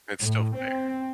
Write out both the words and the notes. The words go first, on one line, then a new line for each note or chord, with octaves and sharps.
It's still there.
A2
C4